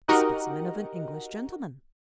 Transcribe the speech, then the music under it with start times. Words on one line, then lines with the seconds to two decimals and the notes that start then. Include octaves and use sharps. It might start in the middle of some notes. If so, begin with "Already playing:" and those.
"A specimen of an English gentleman."
0.08 D#4 F#4 G4 A#4 D#5 F#5